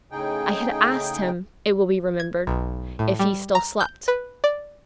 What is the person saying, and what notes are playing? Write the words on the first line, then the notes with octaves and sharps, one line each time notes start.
I had asked him, it will be remembered, if he still slept.
A2 C#3 D#4 G#4 G5
G#6
B1
A2
G3
A#5
G6
B4
D5